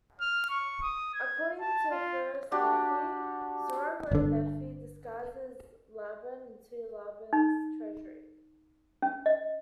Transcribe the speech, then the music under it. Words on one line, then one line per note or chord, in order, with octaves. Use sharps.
According to "First Nephi", Zoram led Nephi, disguised as Laban, into Laban's treasury.
F6
C#6
D#6
G#6
A5
F4
D4 F#4 G4
G1 D3
D#4
C#4
D#5